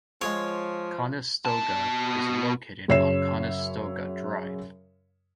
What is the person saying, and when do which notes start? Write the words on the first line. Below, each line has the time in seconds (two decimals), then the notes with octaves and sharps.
Conestoga is located on Conestoga Drive.
0.21 F3 G#3 G#4 C#5 F5
1.45 B2 A5
2.88 F#2 C#3 C#5 E5 C7 E7